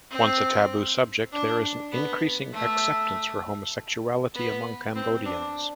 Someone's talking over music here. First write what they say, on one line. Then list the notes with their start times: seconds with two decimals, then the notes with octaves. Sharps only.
Once a taboo subject, there is an increasing acceptance for homosexuality among Cambodians.
0.11 C4
1.32 D4
1.93 B3
2.53 A3
4.35 B3
4.96 C4
5.25 D4